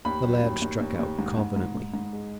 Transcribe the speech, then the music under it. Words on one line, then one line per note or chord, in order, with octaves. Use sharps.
The lad struck out confidently.
D#2 B5
F#3
D#2
D#2
D#2
D#2
G#2
G#2
G#2
G#2
G#2
G#3